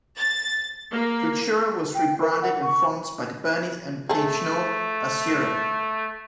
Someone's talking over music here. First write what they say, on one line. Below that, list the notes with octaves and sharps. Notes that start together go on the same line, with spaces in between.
Futura was rebranded in France by Deberny and Peignot as "Europe".
A6
A#3
G5
A#4
F#5
C#6
A3 G#4 A4